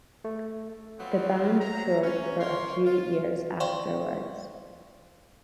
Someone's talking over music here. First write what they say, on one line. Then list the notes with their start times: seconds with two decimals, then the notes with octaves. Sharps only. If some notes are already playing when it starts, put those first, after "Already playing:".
The band toured for a few years afterwards.
0.25 A3
0.99 F#3 B3 C4 F4
1.59 C3 F#3 A#5
2.02 C#4
2.39 A#4 C#5 C6
2.84 F4
3.60 C5 D5 F5 G5 C6 C#6